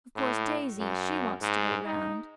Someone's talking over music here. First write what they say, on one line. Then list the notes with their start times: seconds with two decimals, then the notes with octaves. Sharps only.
Of course Daisy--she wants to go round.
0.16 A2
0.79 F#2
1.41 G#2
1.86 D#4